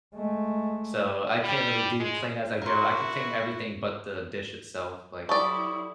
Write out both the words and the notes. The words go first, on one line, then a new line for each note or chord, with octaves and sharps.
so, I can't really do clean as I go. I can clean everything but the dish itself, like,
G#3 A3
G3
G#3
E4 F#4 A#4 C6
F#3 G3 E4 A4 D5 C#6 D#6